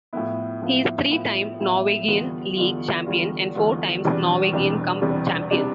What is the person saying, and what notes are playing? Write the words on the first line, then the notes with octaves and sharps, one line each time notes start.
He is three time Norwegian league champion, and four times Norwegian cup champion.
A2 F3 B3 E4
A2 F3 B3 E4
A2 F3 B3 E4
A2 F3 B3 E4
E2 D3 G3 B3 F4
E2 D3 G3 B3 F4
E2 D3 G3 B3 F4
E2 D3 G3 B3 F4
E1 E2 C3 G3 D4
E1 E2 C3 G3 D4
E1 E2 C3 G3 D4
C3 G3 D4